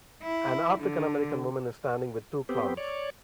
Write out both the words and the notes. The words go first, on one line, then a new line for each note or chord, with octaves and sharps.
An AfricanAmerican woman is standing with two clowns.
E4
D3
B3 C4 G4
C#5 D5